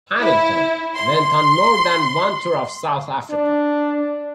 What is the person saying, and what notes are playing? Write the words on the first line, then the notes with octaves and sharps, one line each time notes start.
Hamilton went on more than one tour of South Africa.
E4
C6
D4